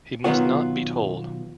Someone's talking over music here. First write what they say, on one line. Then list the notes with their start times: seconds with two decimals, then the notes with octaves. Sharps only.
He must not be told.
0.24 B2 D#3 F#3 B3 F4 F#4